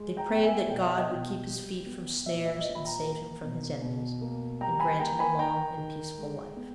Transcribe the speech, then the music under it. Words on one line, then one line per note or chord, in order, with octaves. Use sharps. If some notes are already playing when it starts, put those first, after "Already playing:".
They prayed that God would keep his feet from snares and save him from his enemies, and grant him a long and peaceful life.
Already playing: G#3
G5 A#5
B3 G5
E5 G#5
B2 G5
E5
D#5 G5
B2
G3
B3
A#2 E5
E5
D#5
A#2 E5
B5
G5 A#5
A#3
B2
B2
A#3
G3 G5 A#5
G#5 B5
A#3 G5 A#5
G#5 B5
D#3 G5 A#5
D#3
G#3
B3